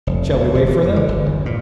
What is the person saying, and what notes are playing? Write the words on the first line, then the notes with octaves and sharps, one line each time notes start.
"Shall we wait for them?"
F1
D2
E1
E3
F#2
D3
G1
E2
A#2